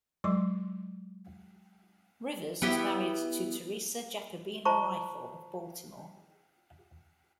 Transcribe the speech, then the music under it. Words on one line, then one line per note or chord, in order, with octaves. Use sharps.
Rivers was married to Teresa Jacobina Riefle of Baltimore.
F#3 G#3 C6 D6
B3 E4 G4
F4 C5 A5 A#5 C#6